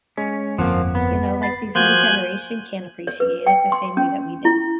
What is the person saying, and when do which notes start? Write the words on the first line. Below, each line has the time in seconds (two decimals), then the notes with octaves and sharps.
you know, like, this new generation can't appreciate it the same way that we did.
0.17 G#3 C#4
0.58 G1 F2 F3 A#3 F#5
0.95 B3
1.42 B5 A6 C7
1.75 F3 A#3 F4 F#4 G#5 F#6 G6
3.07 C#5
3.20 B4
3.47 G5
3.72 C6
3.97 C#4
4.45 E4